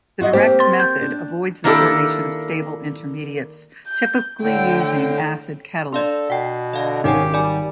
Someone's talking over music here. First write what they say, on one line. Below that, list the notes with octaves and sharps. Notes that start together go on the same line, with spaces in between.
The direct method avoids the formation of stable intermediates, typically using acid catalysts.
F4 F#4 D#5
A#3 C4 G4 C5
C6 A6
G6
D4
D#3 A#3 D4 E4 G4 A4
G6
A2 D3 G5
D4 A4 D5 F5 C6
B2 F#5 G5
D3 D#5 F5
G#1 C#4 D#4 G4 A#4 F#5 G5
G3 D5 G#5